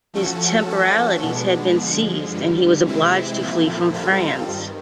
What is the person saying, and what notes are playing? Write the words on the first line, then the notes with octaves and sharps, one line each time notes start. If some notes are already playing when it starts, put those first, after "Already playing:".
His temporalities had been seized, and he was obliged to flee from France.
F3 A3 C#4 F#4 A4
F3 A3 C#4 F#4 A4
B2 G#3 B3 D4
D3 F3 G#3
G2 D3 G3
C3 E3 G#3 C4 E4
A#2 F3 A3 C4 E4
D#3 G3 C4 F4 A4
G2 D#3